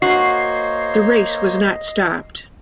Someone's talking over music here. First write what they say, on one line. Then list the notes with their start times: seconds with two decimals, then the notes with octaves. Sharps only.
The race was not stopped.
0.02 A#3 F#4 C5 C#5 D#5 C7